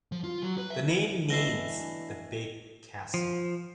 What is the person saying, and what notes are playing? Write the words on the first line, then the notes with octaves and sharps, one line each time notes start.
The name means "the big castle".
F3
F4
F#3
B4
E5
B2 E3 A3 D4 E4 A#6 C7
F3